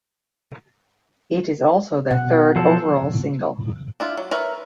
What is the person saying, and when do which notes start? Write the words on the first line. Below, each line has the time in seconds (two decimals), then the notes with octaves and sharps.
It is also their third overall single.
2.11 B2 F#5
2.56 F3 F#3 A4
4.00 D4 E4 F4
4.17 F#3
4.31 A#4 B4 C#5 E5